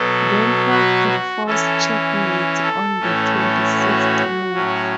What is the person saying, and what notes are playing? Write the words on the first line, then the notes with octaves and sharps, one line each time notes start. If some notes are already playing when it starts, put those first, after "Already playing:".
Then White can force checkmate on the twenty-sixth move.
Already playing: B2 F#3 B3 A4
F#4 B4
F#4
E3 C#4 A4
A4
A2 E3 A3 C#4
A4
F#4
A2 F#3 C#4